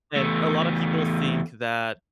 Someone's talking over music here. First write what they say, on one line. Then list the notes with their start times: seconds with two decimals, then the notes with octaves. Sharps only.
And a lot of people think that,
0.16 E2 A3